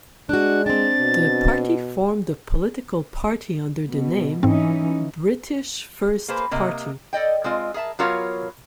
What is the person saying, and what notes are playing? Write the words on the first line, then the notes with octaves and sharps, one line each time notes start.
The party formed a political party under the name British First Party.
G#3 D4 F#4 F#6
C4 D4 A6
B2
B2
G#2 E3 C4 C#4 D#4
A#3 G#4 B4 C5
C3 A#3 D#5
A4 D5 D#5 G5
G#3 C4 F4 D#5
G#4 A#4 E5 A5
F#3 B3 F4 A#4 C#5 F5